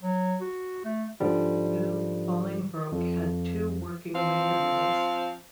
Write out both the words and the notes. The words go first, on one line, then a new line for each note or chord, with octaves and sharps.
New Bolingbroke had two working windmills.
F#3
F#4
A3
G#2 D3 F3 G3
F2
F3 C4 F5